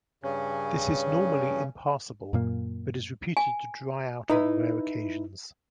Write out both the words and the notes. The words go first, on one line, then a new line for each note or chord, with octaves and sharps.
This is normally impassable but is reputed to dry out on rare occasions.
G2 C#3 C#4
F#2 A#2 A#3
G#5
D#4 E4 B4